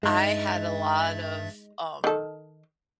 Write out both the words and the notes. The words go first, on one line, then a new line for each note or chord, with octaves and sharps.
I had a lot of, um
G2 G#3 D#4 E5 A6
D#3 A4